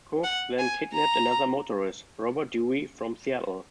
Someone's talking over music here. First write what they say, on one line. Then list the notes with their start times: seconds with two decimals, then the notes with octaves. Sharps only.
Cook then kidnapped another motorist, Robert Dewey, from Seattle.
0.24 F#5
0.59 G#5
0.94 A#5